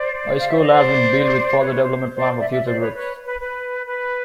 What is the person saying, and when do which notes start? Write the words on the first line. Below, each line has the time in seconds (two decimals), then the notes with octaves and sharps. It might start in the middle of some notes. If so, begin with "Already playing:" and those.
A school has been built with further development planned for future groups.
Already playing: C5 D5
0.39 F5
0.49 E5
0.60 D#5
0.70 C5 D5
1.60 B4 C#5
1.83 C5
2.16 C5 D5
2.39 D5 E5
2.50 D5 E5
2.65 C5 D5
2.80 B4 C#5
2.95 B4 C#5
3.25 B4
3.40 B4
3.85 B4